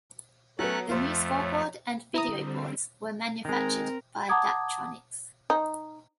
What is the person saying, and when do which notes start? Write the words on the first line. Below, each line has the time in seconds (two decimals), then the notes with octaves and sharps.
The new scoreboard and video boards were manufactured by Daktronics.
0.59 F#3 A3 B3 C#4 F#6
0.89 F2 A3 F4 C5
1.40 C#5
2.14 D3 G3 C4 E4 A#5 D#6
3.45 D#3 G#3 C4 A#4
4.29 F#5 A5 A#5 D6 D#6 G#6
5.50 D#4